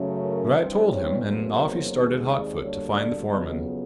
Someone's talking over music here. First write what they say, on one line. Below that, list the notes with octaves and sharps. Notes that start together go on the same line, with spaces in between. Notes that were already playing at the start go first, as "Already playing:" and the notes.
But I told him, and off he started hot-foot to find the foreman.
Already playing: F#2 C#3 F#3 A3 C#4
A#4
G2 E3 G3 C4 C5
C#5
E2 B2 F#3 A#3 C#4 C5
D#2 D#3 G#3 C4
D5
D2 D3 G3 A#3 D4 C#5
D5
F2 C#3 F#3 B3 D#5